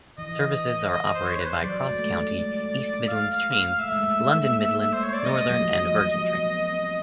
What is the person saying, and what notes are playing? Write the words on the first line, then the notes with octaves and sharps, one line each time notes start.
Services are operated by CrossCountry, East Midlands Trains, London Midland, Northern and Virgin Trains.
E3 D#5
D#5
C5
C#5
B4
C5
F#3 D5
A3
G#3
F5
A3 E5
G#3
A3
G#3
A#3
A3
G#3 C5
C#5
D5
G3 D#5
F#3
F3
F3
F#3
B3
C4